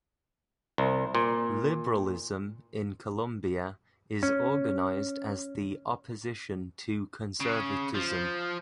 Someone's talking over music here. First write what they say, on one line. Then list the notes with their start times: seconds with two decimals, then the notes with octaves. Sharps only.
Liberalism in Colombia is organized as the opposition to conservatism.
0.78 C2
1.15 A#2
4.23 C#4
7.40 C#3
7.95 F3